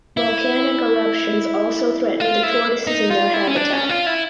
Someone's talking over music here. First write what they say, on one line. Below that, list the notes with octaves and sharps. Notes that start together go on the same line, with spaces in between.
Volcanic eruptions also threaten the tortoises and their habitat.
E4
F4
E4
D#4
F4
E4
C#4
D4
C#4
F4
E4